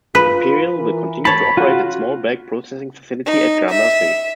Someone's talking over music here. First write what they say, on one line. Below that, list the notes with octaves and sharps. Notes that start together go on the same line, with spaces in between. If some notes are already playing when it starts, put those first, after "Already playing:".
Imperial will continue to operate a small-bag processing facility at Gramercy.
F4 B4
E3 A#4
C#5 A5 B5
C#3 F4 F#4
D#4
E5